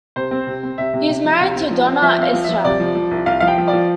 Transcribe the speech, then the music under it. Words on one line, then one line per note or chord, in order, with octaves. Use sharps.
He is married to Donna Isham.
C3 C5
C4
C3
C4
C3 E5
C3
C3
F3
C3 F5
C4
F3
C4
F3 E5
C4 F5
F3
F3 E5
C3 D5
F3
F3
C2
C2 F5
F3 F5
G5
F3
D5
F3